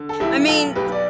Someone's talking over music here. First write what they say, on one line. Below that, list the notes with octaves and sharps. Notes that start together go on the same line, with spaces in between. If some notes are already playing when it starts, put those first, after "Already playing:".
I mean,
Already playing: D3
A4
B1 E4 G4
B1 F4 A4
B1 G4 B4
D5